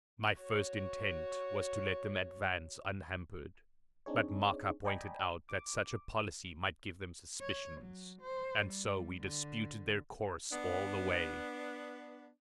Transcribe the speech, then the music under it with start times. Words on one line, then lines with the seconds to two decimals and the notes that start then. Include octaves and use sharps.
My first intent was to let them advance unhampered; but Maka pointed out that such a policy might give them suspicions, and so we disputed their course all the way.
0.33 F#4 C#5
4.06 C4 D4 D#4 G#4 C#5
4.85 D5 D#5 G5 G#5 A#5 B5
5.49 D6
7.42 C#5
7.81 F#3
8.22 C5
8.68 G3
9.22 D3
10.51 B3 D4